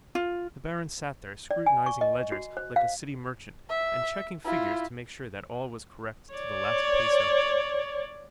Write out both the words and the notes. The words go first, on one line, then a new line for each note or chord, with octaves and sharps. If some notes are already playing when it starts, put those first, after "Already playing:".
The Baron sat there scrutinizing ledgers, like a city merchant, and checking figures to make sure that all was correct to the last peso.
F4
D5
G#5
C#6
D#5
F#4
C5
F5
E5
E4 F4
C#5 D5